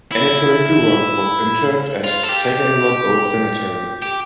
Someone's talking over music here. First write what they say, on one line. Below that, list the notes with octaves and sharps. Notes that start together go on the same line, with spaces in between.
Anatoly Durov was interred at Taganrog Old Cemetery.
E4
F4
A4
G4
G4